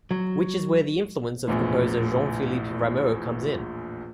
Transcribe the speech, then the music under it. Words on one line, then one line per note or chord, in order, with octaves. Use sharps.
Which is where the influence of the composer Jean-Philippe Rameau comes in.
F#3
A#1 E2 A2 E3